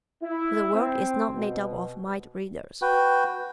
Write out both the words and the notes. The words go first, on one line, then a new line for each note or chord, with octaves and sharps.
But the world is not made up of mind readers.
E4
C4
B2
F#4 B4 G5